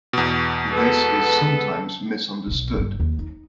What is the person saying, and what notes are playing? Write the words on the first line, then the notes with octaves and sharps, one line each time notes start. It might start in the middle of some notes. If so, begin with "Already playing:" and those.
This is sometimes misunderstood...
E2 B2
G#3 B3 A4
B1 B2
G1 G3
D#2
D#4